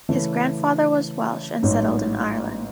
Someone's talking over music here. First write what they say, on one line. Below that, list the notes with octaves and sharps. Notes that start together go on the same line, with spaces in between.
His grandfather was Welsh and settled in Ireland.
C#3 E3 A3
A1 G#2 F#3